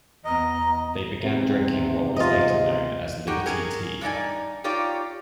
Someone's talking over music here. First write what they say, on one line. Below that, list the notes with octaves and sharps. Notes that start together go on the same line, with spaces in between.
They began drinking what was later known as liberty tea.
E2 B3 D#5 A#5
E2 G#2 C3
F4 D#5
D#4 F#4 G4
C#4 G#4 A#4
G2 D4 D#4 D5 G#5
D#4 F4 G4 C#5 D5